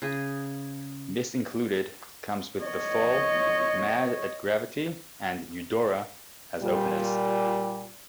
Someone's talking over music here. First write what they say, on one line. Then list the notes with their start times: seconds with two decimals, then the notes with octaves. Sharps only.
This included Comes With the Fall, Mad at Gravity and Udora as openers.
0.02 C#3 G#4 G#5
2.64 C#5 D#5
6.62 A#2 G3